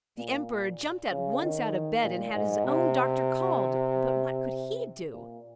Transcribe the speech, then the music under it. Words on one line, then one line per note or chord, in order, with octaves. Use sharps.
The Emperor jumped at once out of bed, and had his own doctor called; but what could he do?
A#2
C#3
D#3
A#2
G#2
C3
A#2